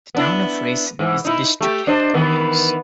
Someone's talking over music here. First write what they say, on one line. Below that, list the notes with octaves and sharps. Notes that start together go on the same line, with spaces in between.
The town of Raisen is the district headquarters.
B3 D4 E4
G#2 E3
D#4 E4
A3 G4
D4 C5 D#5
D#3 E3 B3